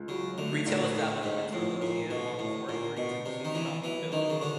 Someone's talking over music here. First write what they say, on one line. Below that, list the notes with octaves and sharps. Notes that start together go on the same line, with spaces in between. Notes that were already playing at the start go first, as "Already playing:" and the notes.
Retail establishments are located along four streets and two shopping buildings.
Already playing: C#2
C#3 F#3
D3 A3
D2 A#2
D2 A2
D2 G#2
A2 F3
D2 A#2
D2 B2
A2 D3
A#2 D3
B2 D3
C3 D4
D#3
E3 D4
E3 F#3
D#3 C#4
C#3
B2 D3